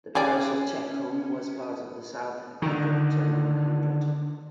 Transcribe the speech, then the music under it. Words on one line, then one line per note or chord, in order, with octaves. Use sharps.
The parish of Chaffcombe was part of the South Petherton Hundred.
C#4 G4 G#4 D5
D3 D#3